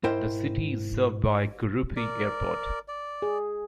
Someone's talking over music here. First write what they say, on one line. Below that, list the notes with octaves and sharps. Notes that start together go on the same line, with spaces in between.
The city is served by Gurupi Airport.
G#2 E4 A#4 C5 G5
A#4 D5
D5
G#4